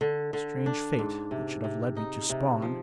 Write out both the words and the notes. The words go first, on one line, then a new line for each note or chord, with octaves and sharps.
Strange fate that should have led me to Spawn!
D3
D3
D4
G#2
C3
C3
D#4
C3
F3